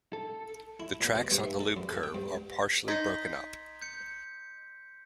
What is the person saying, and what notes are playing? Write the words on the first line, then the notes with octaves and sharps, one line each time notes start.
The tracks on the loop curve are partially broken up.
A4
E4
A#2
B2
G2
E5
A4
F#2
A4
G5
G2
D#4 C6 G#6 B6
G6 C#7